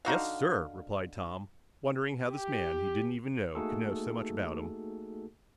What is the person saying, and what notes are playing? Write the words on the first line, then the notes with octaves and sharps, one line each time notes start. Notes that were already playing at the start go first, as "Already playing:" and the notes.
"Yes, sir," replied Tom, wondering how this man he didn't even know could know so much about him.
D3 D#4 F#4 F5
G4
A3 A#3 D#4 F#4 G#4 A4